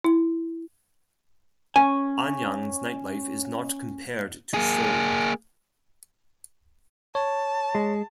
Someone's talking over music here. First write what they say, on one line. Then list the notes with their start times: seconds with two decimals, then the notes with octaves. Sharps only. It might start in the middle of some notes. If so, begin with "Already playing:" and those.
Anyang's nightlife is not compared to Seoul.
0.04 E4
1.76 C#4 G#5
4.54 A#3 G#4
7.15 C#5 A5
7.75 G#3